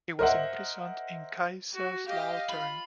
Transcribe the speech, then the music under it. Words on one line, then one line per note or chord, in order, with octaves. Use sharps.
He was imprisoned in Kaiserslautern.
A#4 C5 D#5 E5 F#5
F#4
G4 D#5 F5
F4 B5